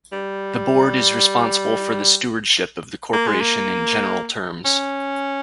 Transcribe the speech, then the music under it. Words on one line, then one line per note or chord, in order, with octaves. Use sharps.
The Board is responsible for the stewardship of the corporation in general terms.
G3
A#3
G#3
A#3
C#4